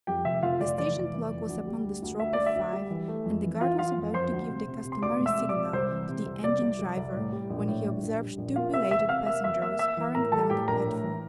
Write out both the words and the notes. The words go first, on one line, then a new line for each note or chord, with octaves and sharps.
The station clock was upon the stroke of five, and the guard was about to give the customary signal to the engine-driver when he observed two belated passengers hurrying down the platform.
F2 G4 G5
F1 E5
F1 F4 F5
F1 D5
E3 D5
F1
E3
F2
D2
G3
D2
D2
D2 E5
D2 D5
E5
D2
G3
E3
A3
F2
E3
E3 F4 F5
E3 F4 F5
F2
F2 C5 C6
D2
C3
C3
C3
C6
D2 D5 D6
E1
E5 E6
C3
D5 D6
C3
C2 C5 C6
E3
C3
C2
C2 D5
C2
C2
C2
A2
G3
A#1
A2
A#1
A#1
G3
A#1
A#3 F4 F5
C3 E5 E6
E2 E5 E6
C3 F5 F6
A#3 E5 E6
E2 E5 E6
A#3 E5 E6
A#3 E5 E6
E3
A2 A#4 A#5
E3 A4 A5
A2 G4 G5
A#1 A#4 A#5
A2
E3